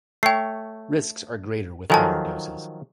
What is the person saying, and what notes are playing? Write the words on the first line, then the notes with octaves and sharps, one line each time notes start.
Risks are greater with higher doses.
A3 C#5 G5 C7
D#3 F3 F#3 A4 G#5 A5